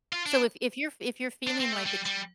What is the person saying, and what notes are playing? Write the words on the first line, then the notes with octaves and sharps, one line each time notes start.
So, if if you're if you're feeling like it's
F4
D4
D4
C4
A3
G3
G3